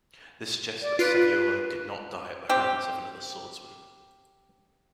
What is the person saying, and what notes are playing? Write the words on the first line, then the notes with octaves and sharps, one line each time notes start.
This suggests that Saviolo did not die at the hands of another swordsman.
D5
F4 B4 C7 D7
C4 G4